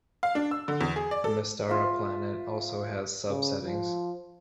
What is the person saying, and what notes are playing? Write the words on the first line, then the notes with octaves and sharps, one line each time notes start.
The Mystara planet also has sub-settings.
F5
D4
E6
D3
E2
G#4
D5
A4
F4 E5
C#3
F3